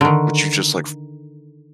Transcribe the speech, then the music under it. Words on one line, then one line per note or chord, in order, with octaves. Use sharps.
would you just, like,
D3 D#3